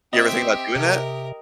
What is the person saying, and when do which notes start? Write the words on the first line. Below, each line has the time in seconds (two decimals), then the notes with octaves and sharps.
You ever think about doing that?
0.13 C4 G4 D#5 E5
0.76 C3 A#4